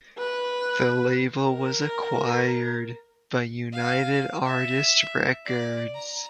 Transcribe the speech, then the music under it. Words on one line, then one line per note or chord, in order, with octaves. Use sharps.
The label was acquired by United Artists Records.
B4
A#4
F5
E5
D5
A#5